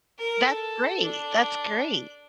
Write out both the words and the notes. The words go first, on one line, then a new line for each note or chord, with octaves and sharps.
That great, that's great.
A#4
A4
D4